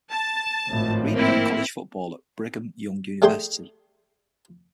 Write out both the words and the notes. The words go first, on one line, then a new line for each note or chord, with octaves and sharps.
Reid played college football at Brigham Young University.
A5
G#1 A2 F3
A#3 C4 E4
G3 A3 G#4 G5 C6